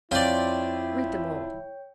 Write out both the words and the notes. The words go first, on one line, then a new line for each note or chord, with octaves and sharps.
"Read them all!"
F2 E4 F4 C#5 D5 G5 G6